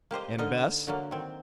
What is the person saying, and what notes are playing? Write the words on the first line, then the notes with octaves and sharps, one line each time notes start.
And Bess?
A#3 G4 C5 D#5
D3 D#4 A#4 D#5
D3 F#3 A#3
D#3 C4